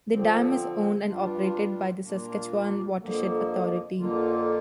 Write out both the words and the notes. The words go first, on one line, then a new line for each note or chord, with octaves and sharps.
The dam is owned and operated by the Saskatchewan Watershed Authority.
D3 F3 C4
G2 G3 D4 F4
A#2 A#3 D4 F4
F2 D3 F3 A#3
F2 D3 A#3 F4